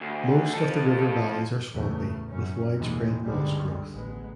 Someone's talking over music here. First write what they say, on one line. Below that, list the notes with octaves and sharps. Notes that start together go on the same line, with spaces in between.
Most of the river valleys are swampy with widespread moss growth.
D2
F3 A4
E2 A2 C#3 A3
F#2 C#4
D#2 B2 E3 G#3
C#2 G2 D3 G3 G#3
A1 G#3 B3